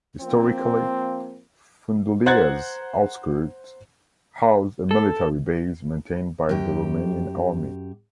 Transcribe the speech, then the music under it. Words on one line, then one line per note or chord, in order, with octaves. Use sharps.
Historically, Fundulea's outskirts housed a military base maintained by the Romanian Army.
F3 A#3 C4
C5 F#5 A#5 F#6 G#6 A6
A4
F#2 G4